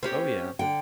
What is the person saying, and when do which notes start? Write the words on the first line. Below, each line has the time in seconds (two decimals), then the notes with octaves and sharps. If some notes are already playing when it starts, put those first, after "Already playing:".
Oh yeah.
0.03 C4 C#4 G4
0.59 D3 G5